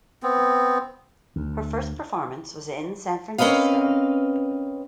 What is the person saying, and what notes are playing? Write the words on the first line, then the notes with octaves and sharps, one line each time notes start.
Her first performance was in San Francisco.
B3 C4
D2
C4 C#4 A#4 B4 D#5 F5